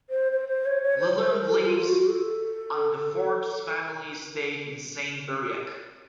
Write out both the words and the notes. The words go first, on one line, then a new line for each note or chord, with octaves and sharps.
Lalonde lives on the Forbes family estate in Saint-Briac.
C5
C5
C5
C#5
C#5
C5
C5
A#4
A4
F4
F#4
A4